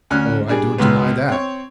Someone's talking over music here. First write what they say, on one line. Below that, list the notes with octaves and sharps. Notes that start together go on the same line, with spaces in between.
"Oh, I don't deny that."
D2 C#4 F6 F#6
G3 D4 G#4
C#2 G#2 B3
C4 C#5